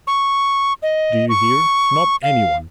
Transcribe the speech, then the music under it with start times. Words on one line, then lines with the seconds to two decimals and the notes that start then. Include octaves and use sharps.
Do you hear, not any one!
0.07 C#6
0.83 D#5
1.29 C#6
2.23 F5